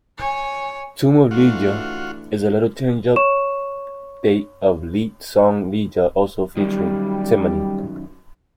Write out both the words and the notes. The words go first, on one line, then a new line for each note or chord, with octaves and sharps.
"Tomb of Liegia" is a little-changed update of leaked song "Ligeia", also featuring Timony.
C#5 G#5
E3 A3 D4 F4 F#4
C#5 C#6 E7
F#2 D#3 G3